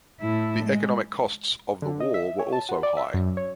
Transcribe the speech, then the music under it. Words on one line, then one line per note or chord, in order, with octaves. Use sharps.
The economic costs of the war were also high.
A2 E4
G#3
D3
D#5
E5
C#5
A5
F#4
D5
E5
F#2
C#5